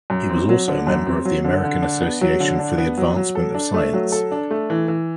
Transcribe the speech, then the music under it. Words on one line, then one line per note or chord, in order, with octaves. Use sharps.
He was also a member of the American Association for the Advancement of Science.
F#2
C4
F#3
D3
F#2
C4
F#3
D3
D3
D4
B3
F#3
D3
D4
B3
F#3
F#3
A4
D4
A3
F#3
A4
D4
A3
E3
E3